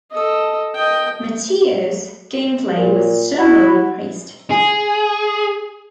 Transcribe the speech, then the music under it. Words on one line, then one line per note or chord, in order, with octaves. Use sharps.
"Meteos" gameplay was generally praised.
A4 D#5
D#5 G5
A#2
E4 F#4
G#4